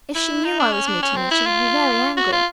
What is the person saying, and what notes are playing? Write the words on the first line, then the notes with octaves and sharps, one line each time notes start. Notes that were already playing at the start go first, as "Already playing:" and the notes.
If she knew I was meeting you she would be very angry.
E4
D#4
D4
C#4
D4
C#4
C4
E4
F4
F#4
F4